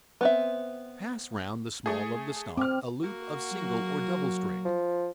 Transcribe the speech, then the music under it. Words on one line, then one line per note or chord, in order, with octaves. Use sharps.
Pass round the small of the stock a loop of single or double string.
B3 C4 E5
A3 G#4
C4 D6 F6
A#3 F#4
F#3
F3